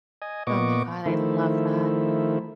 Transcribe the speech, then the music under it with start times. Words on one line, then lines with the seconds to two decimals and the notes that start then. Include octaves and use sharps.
Oh my god. I love that.
0.22 D#5 G#5
0.47 A#2 B3 D#5 C#6 D6
1.06 D#3 F3 A3 E4